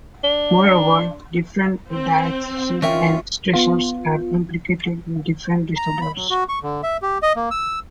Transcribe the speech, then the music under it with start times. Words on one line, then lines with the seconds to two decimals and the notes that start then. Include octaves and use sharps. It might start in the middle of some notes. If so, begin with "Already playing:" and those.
Moreover, different diatheses and stressors are implicated in different disorders.
0.24 D4
1.91 C4
2.82 D#3 E3 C#4 F4 A#4 E5 G5
3.53 B3 F4
5.76 A#5
6.01 B5
6.16 F#3
6.30 F#4
6.49 C#6
6.63 D3
6.83 E5
7.02 G4
7.23 D#5
7.36 A#3
7.51 E6